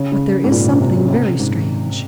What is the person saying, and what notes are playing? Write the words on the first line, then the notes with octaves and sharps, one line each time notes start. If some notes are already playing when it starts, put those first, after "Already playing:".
But there is something very strange.
Already playing: C#3
C#3
G#2
A#2
C3
C3
C#3
C#3
C3
G#2